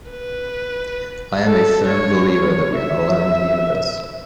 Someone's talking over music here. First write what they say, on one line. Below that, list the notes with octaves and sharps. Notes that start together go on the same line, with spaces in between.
I am a firm believer that we are not alone in the universe.
B4
A4
C#5
C#5
E5